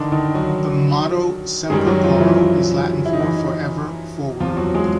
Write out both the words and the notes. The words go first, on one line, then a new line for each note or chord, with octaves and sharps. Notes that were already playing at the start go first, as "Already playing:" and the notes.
The motto, "Semper Porro", is Latin for "Forever Forward".
Already playing: D3 D#3 D4 D#4
D#3 D#4
F#3 F#4
F#2 D#3 G3 G#3 G#4
F#3 F#4
F3 F4
E3 E4
E4
D#4
E3 E4
E2 C3 F3 F4
F#3 F#4
G#3 G#4